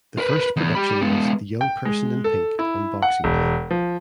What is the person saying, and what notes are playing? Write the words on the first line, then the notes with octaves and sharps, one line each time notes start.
The first production was "The Young Person in Pink" on Boxing Day.
A#4 B4
E2
G4 B5
G#3 B3
G5
G#3
A4
E4
F#5
E1
F3